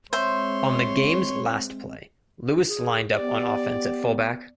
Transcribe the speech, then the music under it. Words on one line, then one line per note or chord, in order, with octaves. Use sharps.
On the game's last play, Lewis lined up on offense at fullback.
G#3 C4 C5 C#5 E5 C6
G#4
B3 G4 D5